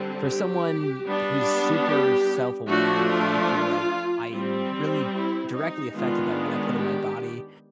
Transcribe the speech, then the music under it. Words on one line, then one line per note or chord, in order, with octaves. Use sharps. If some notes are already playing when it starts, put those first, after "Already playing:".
for someone who's super self-aware, I feel like I'm really directly affected by what I put in my body,
Already playing: D3 G3 C4
G4
G3 B3 D4
G4
F3 A3 D4 F#4
F4
G3 C4
E4
D#4
D#3 G#3 B3 D4 F4
G4